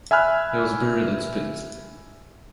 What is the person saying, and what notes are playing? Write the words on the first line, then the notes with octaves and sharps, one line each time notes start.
He was buried at Split.
E5 G#5 B5 F6 F#6